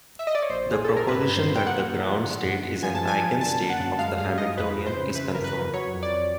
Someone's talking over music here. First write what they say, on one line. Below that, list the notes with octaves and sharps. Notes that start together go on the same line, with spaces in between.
The proposition that the ground state is an eigenstate of the Hamiltonian is confirmed.
E5
D#5
D5
C#5
A#1 C5
A#2 G#4
A#2 A4
A#4
G1 B4
G2
C5
G2
G5
A#3 F#5
A#3
F3
D3
F#2
F#2
F3 G#5
A5
G#2
G#5
F3
D3 A5
A#3
F#5
F#2
G#3 F5
G2 F5
G2 D#5
F2 B4
F3
C5
C#3
E3 B4
G1 A#4
B4
F#2
F#3 C#5
F2
D5
F2